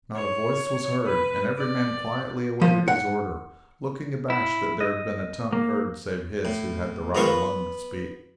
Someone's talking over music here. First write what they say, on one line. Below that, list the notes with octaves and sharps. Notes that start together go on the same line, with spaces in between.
Not a voice was heard, and every man quietly awaited his order, looking abashed that there had been a tongue heard save his who had the right alone to speak.
C#5
B4
D5
F3
F#5
E4
D#5
A#3
A2
G#2 D#3 B3 F4 C6 C#6
B3